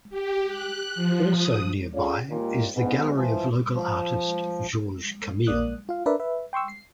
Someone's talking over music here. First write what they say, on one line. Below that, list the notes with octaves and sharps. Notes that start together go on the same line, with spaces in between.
Also nearby is the gallery of local artist Georges Camille.
G4
F#6
F3
D#6
C#4 F4 G#4 A4 C#5 D5
D#2 A#2
D2 G#2 B2 B3
E3 F3
F3
A#1 A#3 D5 D#6 F#6
F4 F5
D4 A#4 B4 D5 E5
B4 E5
G5 C6 C#6 E6
C7